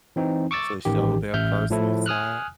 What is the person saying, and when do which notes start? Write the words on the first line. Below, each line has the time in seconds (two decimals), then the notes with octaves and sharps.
to show their personal side,
0.16 E3 C4 D#4
0.51 C#6 D6 E6 A6
0.85 A1 D#3 G4
1.33 A1 E5 F6 G6
1.70 A2 F3 E4 A4
2.06 G#5 D#6 F6 F#6